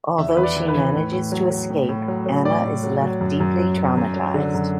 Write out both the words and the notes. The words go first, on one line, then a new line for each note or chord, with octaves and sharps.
Although she manages to escape, Anna is left deeply traumatized.
E2 E5
E2 B4
D5
E3
B4
E3
A2
A2
F#3
F#3
A2
A2
F#3
F#3
A2 D5
A2
F#3
F#3
F#2
F#2
F#3
F#3
F#2
F#3
D3
F#2